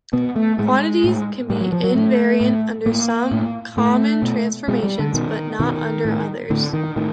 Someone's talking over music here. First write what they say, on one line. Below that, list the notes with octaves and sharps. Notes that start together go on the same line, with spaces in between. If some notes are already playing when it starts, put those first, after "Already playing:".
Quantities can be invariant under some common transformations but not under others.
B2 B3
A3
A2 G#3
A2
A2 G3
F#3
F3
F#3
A2 A3
A2
A2 A#3
A2
A2 A3
B2
B2 G#3
G3
D3
B2 D#3
B2 D#3
A2
A2 D3
D#3
A2 D#3